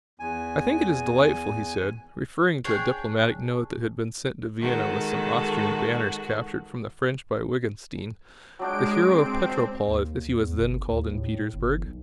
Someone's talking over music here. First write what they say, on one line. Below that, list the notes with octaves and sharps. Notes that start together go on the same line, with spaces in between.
"I think it is delightful," he said, referring to a diplomatic note that had been sent to Vienna with some Austrian banners captured from the French by Wittgenstein, "the hero of Petropol" as he was then called in Petersburg.
E2 G#5
C#4 D4 G#4 G5
D#3 G#3 F#4 A4
F#3 G#3 D4 G5 D7
C4
D#2
E2
G1
D#2
A2
G1
B1